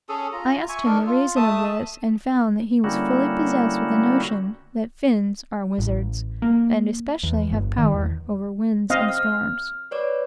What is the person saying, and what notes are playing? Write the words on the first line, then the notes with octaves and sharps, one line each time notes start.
I asked him the reason of this, and found that he was fully possessed with the notion that Fins are wizards, and especially have power over winds and storms.
C#4 G#4 A4
F4 A#5
E5 G#5 C#6
D4 D#4 A4 A#4
F4
A3 E5 A5 D#6
D3 G3 A#3 C#4 E4 F#4
A1
A#3
E2
G1
D#3
E2
C4 D#5 F5
F6
B4 C#5 D5